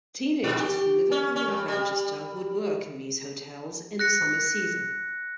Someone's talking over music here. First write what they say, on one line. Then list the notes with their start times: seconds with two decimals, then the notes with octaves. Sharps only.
Teenagers from Liverpool and Manchester would work in these hotels in the summer season.
0.44 A#2
0.60 G4
1.11 C#4
1.36 C#4
1.48 G2
1.68 G3
3.99 F#6 A#6 C#7